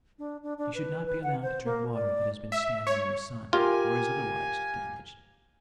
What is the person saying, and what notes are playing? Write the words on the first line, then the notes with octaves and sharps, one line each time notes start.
He should not be allowed to drink water that has been standing in the sun, or is otherwise damaged.
D4
D4
D4
B4
B4
F#5
C5
A#3
D5
E5
C#5
F4 G4 A#4 F5 G#5